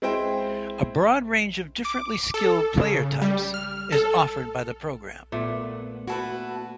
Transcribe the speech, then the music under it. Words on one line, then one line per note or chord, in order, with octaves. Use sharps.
A broad range of differently skilled player types is offered by the program.
G#3 C4 E4 C5 G5 D7
D6
A4
C#3
G3
F6
A4
A#2 A3 B3
E4 F#4 A4 B4